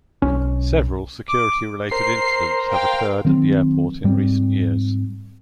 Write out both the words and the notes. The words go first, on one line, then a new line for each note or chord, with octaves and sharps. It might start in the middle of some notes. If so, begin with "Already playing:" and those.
Several security-related incidents have occurred at the airport in recent years.
B1 C#4
D6
A#4 C5 C7
F5 G5
D#3 F#3 C4
G#2 G3 A#3 C4